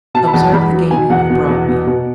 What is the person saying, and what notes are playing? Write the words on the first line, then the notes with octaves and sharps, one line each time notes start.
Observe the game you have brought me!
B2 A5
B5
E2 A5
E2 B5
F#3
B2 G#5
E2 F#5
B2
E2
B2
B2